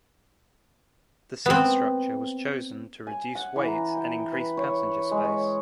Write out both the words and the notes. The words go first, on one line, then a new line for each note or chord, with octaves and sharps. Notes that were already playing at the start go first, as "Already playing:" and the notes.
The seat structure was chosen to reduce weight and increase passenger space.
B3 C4
G#5
F#5
E3
A#5
G5
B4
C#5
G#3
C#5